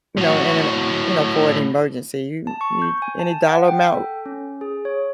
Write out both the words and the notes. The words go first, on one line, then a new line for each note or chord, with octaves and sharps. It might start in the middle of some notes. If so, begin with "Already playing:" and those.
you know, in an you know, for an emergency, you you any dollar amount?
A2 F#4
A5
C#6
G6
G#5
A5
F#5
G5
G5
A4
C#4
G#4
C#5